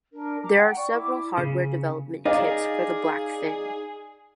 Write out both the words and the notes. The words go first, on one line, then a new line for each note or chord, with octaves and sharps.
There are several hardware development kits for the Blackfin.
D4 A#4
A#5 D6
F#5 G5
D5 C#6
E4 D6
C#3
D#4 G#4 D5 F5